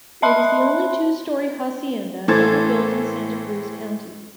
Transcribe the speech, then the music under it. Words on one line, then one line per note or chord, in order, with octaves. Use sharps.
It is the only two story hacienda ever built in Santa Cruz County.
D#5 E5 A5 B5 C6 F#6
A2 E3 A4 C5 G#6 A6